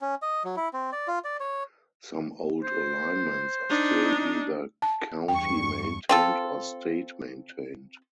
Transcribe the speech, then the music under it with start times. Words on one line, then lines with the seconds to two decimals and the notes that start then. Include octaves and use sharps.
Some old alignments are still either county-maintained or state-maintained.
0.01 C#4
0.22 D#5
0.44 F#3
0.56 E4
0.73 C4
0.93 D5
1.08 F4
1.24 D5
1.40 C#5
2.63 C5
3.70 D4 D#4
4.82 A5
5.28 E2 G2 G5 C#6
6.09 C4 F4 A4